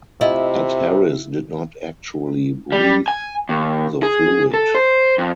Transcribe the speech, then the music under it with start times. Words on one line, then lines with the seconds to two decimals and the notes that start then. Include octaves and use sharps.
Ed Harris did not actually breathe the fluid.
0.21 C3 E4 F4 D#5
2.72 G3
3.08 G#5
3.49 D#2
4.03 G#4
4.54 A4
4.75 C5
5.18 F2